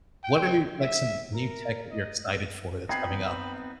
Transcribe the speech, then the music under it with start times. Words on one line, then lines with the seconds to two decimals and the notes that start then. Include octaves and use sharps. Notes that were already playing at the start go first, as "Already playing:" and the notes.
what are, like, some new tech that you're excited for that's coming up?
0.23 G5
0.79 E5
1.34 A#4
1.91 D#5
2.89 B3 C4 D#4 G5 B5 G#6 C7